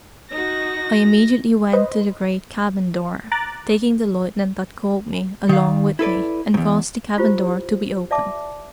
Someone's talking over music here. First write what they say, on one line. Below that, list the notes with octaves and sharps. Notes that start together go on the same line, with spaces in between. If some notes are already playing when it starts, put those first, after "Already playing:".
I immediately went to the great cabin door, taking the lieutenant that called me along with me, and caused the cabin door to be opened.
D#4 F#4 A#6
B4 C5 D#5
A#5 D6 F#6 A6
D#3 F5
E4 A4 B4 D5
E2 G#2
E4 F4 G4 C5
D5 E5 A5 D6